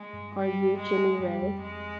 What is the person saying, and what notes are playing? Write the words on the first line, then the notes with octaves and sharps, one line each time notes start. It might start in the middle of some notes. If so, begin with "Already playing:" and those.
Are You Jimmy Ray?
Already playing: G#3
G2
G3
G#3
G2 G3
F2
G#3